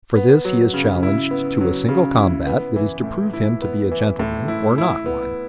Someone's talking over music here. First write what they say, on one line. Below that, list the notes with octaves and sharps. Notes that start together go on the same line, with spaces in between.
For this he is challenged to a single combat that is to prove him to be a gentleman or not one.
B3
F#3
C#3
E4
B3
F#3
C#3
E4
B3
E3
A2
E4
B3
E3
A2
E4
E4
B3